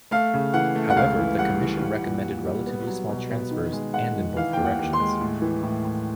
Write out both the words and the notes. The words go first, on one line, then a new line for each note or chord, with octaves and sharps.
However, the Commission recommended relatively small transfers, and in both directions.
A3 F5
C#3
E3 F#5
A3
F#5
C#2 F5
E3
G3 F#5
E3
G3
A#2
A#2
G3
B3
F#3
B2
B3
D#3
G#3
G#3 F#5
D#3
E3 F5
D#2 G5
F#5
D#2
C6
G#3
A2
E3
A2
A2